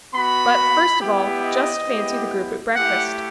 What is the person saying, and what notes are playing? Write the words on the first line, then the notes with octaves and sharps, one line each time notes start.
But, first of all, just fancy the group at breakfast.
B3 F#4 B5
B3 E4 G4
D#5
B3 E4 G4
A3 E4 G4 F#5